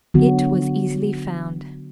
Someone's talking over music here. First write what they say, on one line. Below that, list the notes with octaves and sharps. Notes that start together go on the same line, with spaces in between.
It was easily found.
D3 F#3 B3 F#4